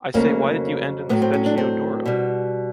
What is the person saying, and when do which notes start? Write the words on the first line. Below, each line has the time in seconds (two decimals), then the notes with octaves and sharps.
I say why did you end in the Specchio d’Oro?
0.14 F2 C#3 F#3 A3 A#3
1.09 A2 F#3 A3 B3
1.22 C4
1.34 C#4
1.46 D4
1.57 C4
2.06 B2 G3